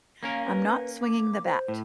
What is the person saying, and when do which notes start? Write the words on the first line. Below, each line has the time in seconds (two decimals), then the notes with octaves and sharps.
I'm not swinging the bat.
0.23 A#3 C#4 A#4 F5
0.47 B4
1.01 D6
1.45 C5
1.68 A2